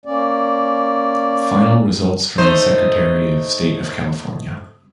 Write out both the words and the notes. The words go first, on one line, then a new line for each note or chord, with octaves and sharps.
Final results from the Secretary of State of California.
A#3 C#4 D5
A3 D#4 C5